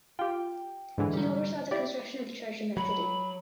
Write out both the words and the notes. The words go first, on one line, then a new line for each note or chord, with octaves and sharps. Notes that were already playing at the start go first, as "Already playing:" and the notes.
He oversaw the construction of the Church in that city.
F4 G4 G5
G#2 D3 E3
G3 D#4
E4 G4 D5
F#3 B5